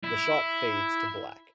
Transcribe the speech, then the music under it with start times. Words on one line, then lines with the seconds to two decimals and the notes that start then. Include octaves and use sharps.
The shot fades to black.
0.04 E4